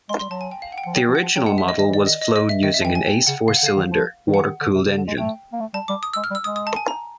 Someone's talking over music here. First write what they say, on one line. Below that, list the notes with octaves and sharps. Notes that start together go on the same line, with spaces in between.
The original model was flown using an Ace four cylinder water-cooled engine.
G#3 C6
G3 C6
F#3 A5
G#5
G5
F5
F#5
G5
F#5
F3
F#3 G5
F3
F#5
F3
F#3 G5
F#5
G#3
E5
F3
D#5
D#3 D#5
E3
D#3 D5
D#5
D#5
D#5
E5
D#3 D#5
E5
F3
E3 G5
G#5
G5
C#3 F#5
C#3 F5
F#5
D3
F5
D#3
F3
D#3
E3 F#5
D3
D#3
D3
C3
C#3
D3
G#3
A3 G5
A#3
A3
G3 A5
G3 D6
D#6
E6
G#3
F6
G3
E6
G#3 D#6
D#6
A5
G#5
A#5